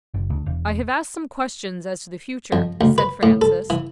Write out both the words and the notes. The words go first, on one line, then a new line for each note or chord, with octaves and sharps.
"I have asked some questions as to the future," said Francis.
F#1
D2
E1
F2
D2
B4
A2
A4
E3